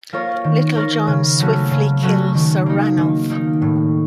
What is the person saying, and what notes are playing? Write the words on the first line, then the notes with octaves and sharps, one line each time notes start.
Little John swiftly kills Sir Ranulf.
A#3 F4 A#4 C#5
D#3
A#3 F4 A#4 C#5
C#3
F#3 A3 C#4 F#4
C#3
F#3 A3 C#4 F#4
D#3
A#3 D#4
D#3
A#3 D#4
A2